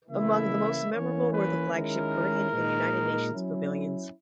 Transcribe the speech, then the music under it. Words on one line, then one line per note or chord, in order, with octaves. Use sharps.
Among the most memorable were the flagship Korean and United Nations Pavilions.
C#3 E3 A#3 C#4 E4 E5
E3 A#3 C#4 C#5
B4
D#3 G#3 C#4 E4 A#4
A#2 G#3 D#4
F#3 C#4 E4